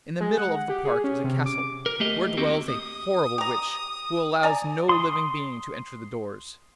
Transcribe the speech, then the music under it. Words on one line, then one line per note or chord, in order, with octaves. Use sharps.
In the middle of the park is a castle, where dwells a horrible witch who allows no living being to enter the doors.
G#3
F#5
G4
G#4
C#4
C3
D6
A#4
A3 A#3 G4 D#5
D#2 A#3 C4 F#4 G4
D#6
G4 A#5
D5 G#5 A#5
C6 D#6